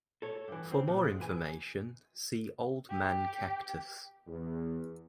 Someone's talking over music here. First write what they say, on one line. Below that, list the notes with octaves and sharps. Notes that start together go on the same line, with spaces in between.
For more information see Old-Man Cactus.
A4 C#5
G2 E3
C4
A#2
G#3
E3 G#5
G4
E2